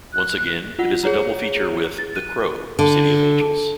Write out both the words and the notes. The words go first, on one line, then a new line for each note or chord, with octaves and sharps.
Once again, it is a double feature with "The Crow: City of Angels".
F#6
F4 F#5
G#4 C#5 A#5
A6
F#6 D#7
D3